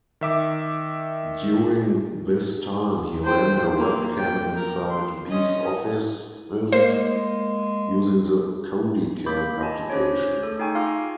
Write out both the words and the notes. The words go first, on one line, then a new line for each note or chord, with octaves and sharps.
During this time, he ran a webcam inside Be's offices using the CodyCam application.
D#3 E5 D6
C5 G5
A#3
G5
A#4
C6
C#4 D#5
G#3 A#3 C5
A#3 B5 D6 G6
F4 D#5 G#5 A5
C#4 G#4 C5 C#5
A3 A4
D#4 G#4 G5 G#5 C#6
F4 F5 G#5 C6 D6 F6